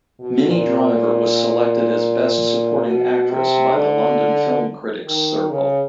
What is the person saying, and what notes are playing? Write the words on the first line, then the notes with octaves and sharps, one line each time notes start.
Minnie Driver was selected as best supporting actress by the London Film Critics Circle.
B2
A#2
A#2
B2
C3
D3
D#3
C#3